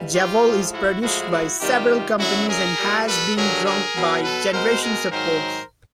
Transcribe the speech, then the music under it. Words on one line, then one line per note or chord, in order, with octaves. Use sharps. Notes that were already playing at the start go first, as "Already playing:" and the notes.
Jabol is produced by several companies and has been drunk by generations of Poles.
Already playing: G#2 E3 G3
F4 G4
A2 F3 G#3
E4 F#4
A2 F3 G#3 E4 F#4
E4 F#4
C3 D#3 G3 F4 G4
F#2 D3 F#3 E4 F#4
G#4 A#4
A#2 G3
A4 B4
G2 D3 F#3 G#4 A#4
G#4 A#4
B2 F#3
A4 B4
B2 G#3 A#4 C5
G#4 A#4
G#2 D#3 F#3 A#4 C5